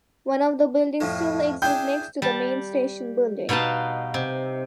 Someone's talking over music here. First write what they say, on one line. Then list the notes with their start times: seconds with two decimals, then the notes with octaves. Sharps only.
One of the buildings still exist next to the main station building.
1.00 F2 A2 F3
1.62 D4 E4 G#4 G5 G6
2.22 G3 A5
3.49 B2 B3 D#4 F5 A5
4.14 C3